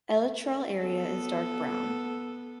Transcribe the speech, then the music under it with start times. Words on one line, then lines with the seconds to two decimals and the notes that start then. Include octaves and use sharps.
Elytral area is dark brown.
0.79 B3 A4